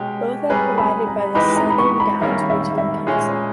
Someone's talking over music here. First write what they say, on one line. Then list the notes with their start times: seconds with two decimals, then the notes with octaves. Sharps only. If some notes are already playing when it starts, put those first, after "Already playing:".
Both are provided by the Southern Downs Regional Council.
Already playing: B2 G#3 C#4 G4 G5
0.49 G3 C#4 G#4 B4 A#5
0.78 B5
1.07 A#5
1.35 E3 G#3 D#4 G4 B4 B5
1.56 A#5
1.70 B5
1.78 C#6
2.00 B5
2.21 D#3 G3 A#3 C#4 E5
2.50 E5
2.78 E5
3.07 A#2 G#3 C#4 G#4